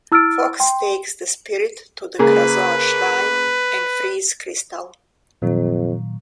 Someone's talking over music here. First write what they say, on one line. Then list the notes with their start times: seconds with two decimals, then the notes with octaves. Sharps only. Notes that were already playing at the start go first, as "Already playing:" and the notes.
Fox takes the spirit to the Krazoa Shrine and frees Krystal.
0.12 E4 E6 F6 A6 D7
0.60 G5 C6
2.19 C#3 A#3 G#4 B4
5.42 F2 A#2 D#3 F#3